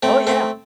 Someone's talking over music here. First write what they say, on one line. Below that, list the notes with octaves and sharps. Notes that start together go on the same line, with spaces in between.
Oh, yeah.
A3 C4
A3 C4